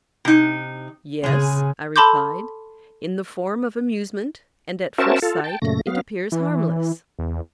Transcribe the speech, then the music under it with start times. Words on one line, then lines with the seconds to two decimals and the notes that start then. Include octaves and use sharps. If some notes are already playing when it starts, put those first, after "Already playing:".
Yes, I replied, in the form of amusement; and at first sight it appears harmless.
0.25 C3 D#4
1.24 C#3 G#3 G#4
1.96 A4 A5 B5 C6 D6 G6
4.98 C#4 F#4 A#4 C5 E5 A5
5.22 F4 A4
5.44 G5 A5
5.62 F#2 A#2 C#3 A3 A#6
5.87 F#3 B3 F5
6.32 E3
7.19 E2